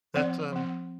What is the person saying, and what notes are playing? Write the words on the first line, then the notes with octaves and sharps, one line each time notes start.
That's, um
F3 C4 D5
F3 C4